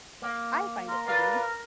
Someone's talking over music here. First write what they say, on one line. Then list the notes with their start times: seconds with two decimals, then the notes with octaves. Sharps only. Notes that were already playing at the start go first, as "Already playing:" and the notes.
I find it to be.
0.22 A#3
0.88 A#4 C6
1.06 F4 B4 D5 F5